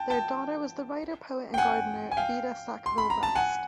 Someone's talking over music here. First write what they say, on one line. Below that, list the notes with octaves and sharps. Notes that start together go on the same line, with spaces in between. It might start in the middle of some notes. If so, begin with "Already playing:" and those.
Their daughter was the writer, poet and gardener Vita Sackville-West.
Already playing: G5 A5
G5 A5
G5
F#5 G#5
G#5
F5 G5
C6
B5
A#5
A5
F#5 G#5